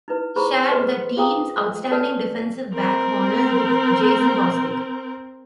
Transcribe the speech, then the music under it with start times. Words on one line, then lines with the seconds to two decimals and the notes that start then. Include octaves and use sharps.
Shared the team?s Outstanding Defensive Back honors with Jason Bostic.
0.08 D#4 E4 B4
0.36 E4 G#4 C5 A#5 B5 C#6
0.71 A4 B4 C5 D#5 C6
1.17 F4 G#4 F5 G5 A#5 D#6
1.92 A4 B4 C#5 D5 G#5 A5
2.74 C4 A#4